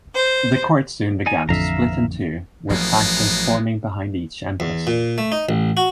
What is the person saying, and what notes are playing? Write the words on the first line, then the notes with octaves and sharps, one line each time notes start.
The court soon began to split in two, with factions forming behind each empress.
C5
D#4 D5 G#5
A1 F2 D3 E5 F5 A#5
A1 F3 F#3 G#3 A#3 B3
E2
A#2
A3
D#4
A1
F#4